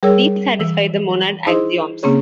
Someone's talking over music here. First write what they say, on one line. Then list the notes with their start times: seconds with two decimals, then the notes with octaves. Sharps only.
These satisfy the monad axioms.
0.03 G3 G#4 A#4 C#5 E6
0.59 E3 E6
1.47 D#4 E4 G#4 C5 D#5 C6
2.03 C#3 A#3 C4 C#4 G#4 C#5